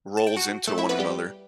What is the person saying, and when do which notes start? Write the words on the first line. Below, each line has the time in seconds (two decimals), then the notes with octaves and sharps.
rolls into one another.
0.17 A5
0.27 G5
0.36 F#4 F#5
0.67 A3 A4
0.78 E4 E5
0.89 B3 B4
0.99 G3 G4